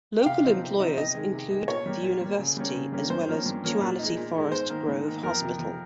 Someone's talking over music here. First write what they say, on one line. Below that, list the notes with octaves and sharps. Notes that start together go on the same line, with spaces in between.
Local employers include the university as well as Tuality Forest Grove Hospital.
G5
C3 F5
F3 C4 D#4
C3
F3 C4 D#4
C3 D#5
D#3 G#3
C3
D#3 G#3
A#2 C#5
G3 A#3
A#2
G3 A#3
C#3
G3 A#3 C#4
C#3
G3 A#3 C#4
G2 C5
F3 A#3 C#4
G2
F3 A#3 C#4
A#2
G#3 D#4
A#2
G#3 D#4
G#2 C5
D#3 A#3
G#2
D#3 A#3
F2 A#4
C3 F3
F2